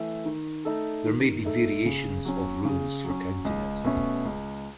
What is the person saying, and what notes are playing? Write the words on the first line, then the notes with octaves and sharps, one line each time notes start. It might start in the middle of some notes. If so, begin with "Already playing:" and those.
There may be variations of rules for counting it.
Already playing: E3 A3
D#3
A3 D#4 A4
D#3
A3 D#4 A4
C#3
F#3 C#4
C#3
F#3
C#4
C#2
B2 A3 C#4
C#2